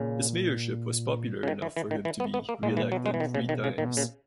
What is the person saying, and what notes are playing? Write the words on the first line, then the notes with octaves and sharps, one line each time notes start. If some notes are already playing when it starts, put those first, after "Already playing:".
His mayorship was popular enough for him to be re-elected three times.
Already playing: A#2 C#3
C#3
D#3
E3
E3
D#3
E3
B3
B3
A#3
A#2 G#3
E3
B2 F#3
G#3
E3
D#3
C#3
D#3
C#3
A#2 D#3
B2
A#2 C#3